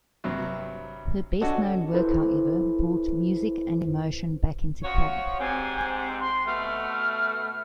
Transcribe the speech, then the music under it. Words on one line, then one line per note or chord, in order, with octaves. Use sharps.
Her best known work however, brought music and emotion back into play.
G2 C3 F#3
C#4 D4 F#4 A4 D#5 F#5
E4 A4 B4 C5
F3 F#4 C#5
G#2 G3 C4 G#5
C6
B2 A3 F6